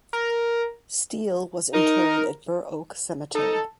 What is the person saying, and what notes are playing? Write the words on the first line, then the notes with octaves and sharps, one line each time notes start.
Steele was interred at Burr Oak Cemetery.
A#4
D#4 A#4
D#4 A4